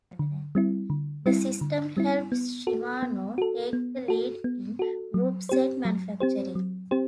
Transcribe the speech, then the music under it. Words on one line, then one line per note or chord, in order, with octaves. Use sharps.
This system helped Shimano take the lead in groupset manufacturing.
D3
G3 C4 E4
D3
G3 C4 E4
D3
G3 C4 E4
B3
F#4 A4
B3
F#4 A4
B3
F#4 A4
B3
F#4 A4
F#3
C4 G4 C5
F#3
C4 G4 C5
F#3
C4 G4 C5